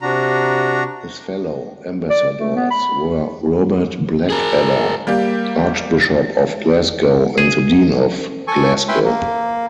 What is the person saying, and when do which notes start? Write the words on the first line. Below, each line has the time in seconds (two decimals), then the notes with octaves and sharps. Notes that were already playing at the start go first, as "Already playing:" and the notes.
His fellow ambassadors were Robert Blackadder, Archbishop of Glasgow and the Dean of Glasgow.
0.01 C3 D4 F#4 A#5
2.10 D5
2.39 A3
2.56 B3
2.71 B5
4.30 G#4 A#4
5.07 G3 A#3 G4
7.38 G#4
8.47 A4 G#5 C#6
8.88 C#4 E4 B4 E5 G5 C6
9.04 A#3